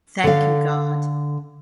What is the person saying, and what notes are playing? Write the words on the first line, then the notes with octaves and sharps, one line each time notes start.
Thank you God.
D3 F5